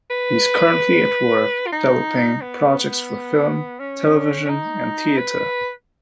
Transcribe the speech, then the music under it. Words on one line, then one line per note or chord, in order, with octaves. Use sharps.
He is currently at work developing projects for film, television, and theater.
B4
F4
D#4
B3
C#4
C#4
D#4
B4